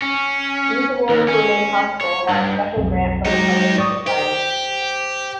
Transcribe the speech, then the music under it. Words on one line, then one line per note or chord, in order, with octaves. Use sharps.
These awards were made possible by a special grant from The Poetry Society.
C#4
D#2
C#4
C#5
G2
B1 F2
F#3 G#3 D#4 G4
D5 C#6 D#6
G4 C5